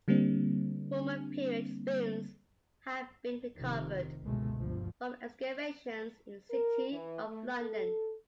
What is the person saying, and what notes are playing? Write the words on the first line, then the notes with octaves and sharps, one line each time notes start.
Roman period spoons have been recovered from excavations in the City of London.
D3 G3 A#3 C4 D4
F1 C3 D#3
G1 C#2 B2 G#3 A3
G1 D2 F3
A#4
E3
A3
A4